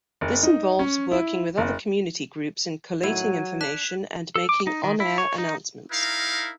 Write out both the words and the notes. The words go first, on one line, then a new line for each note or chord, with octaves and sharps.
This involves working with other community groups in collating information and making on-air announcements.
F#1
D#4
C#4
E4
F#1
A2 D#3 F#3 E4 G#6 D#7
D4 F#6 B6 E7
A4
D6
D#4
D#3
E4
C#5
D#4
D#4 E4 A#4 F5